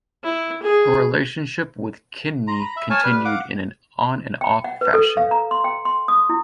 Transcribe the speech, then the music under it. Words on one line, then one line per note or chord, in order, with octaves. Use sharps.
Her relationship with Kidney continued in an on-and-off fashion.
E4
G#4
A#5 C6
B5
E5
C#5 G#5 A5 F6
G3 B4
F5 F#5 D6
G5
F#5
B4
A4
F5
A#5
C6
G5
C6
D#6
E4